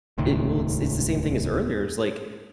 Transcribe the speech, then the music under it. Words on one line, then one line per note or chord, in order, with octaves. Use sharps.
It well, it's it's the same thing as earlier, is like,
D#1 C#2 A2 D#3